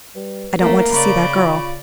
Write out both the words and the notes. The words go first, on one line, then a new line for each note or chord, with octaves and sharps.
I don't want to see that girl.
G3 B4
A3 A#3 A#4
C#3 D5 B5 C#6
F4